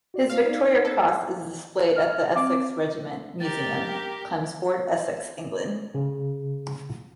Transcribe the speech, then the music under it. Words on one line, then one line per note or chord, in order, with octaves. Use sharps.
His Victoria Cross is displayed at The Essex Regiment Museum, Chelmsford, Essex, England.
F#4 D5
F4 A4 C#5 F5
D#4 C5 D5
A4
F6
C4 D6
G4 A#4 A6
G5
C#3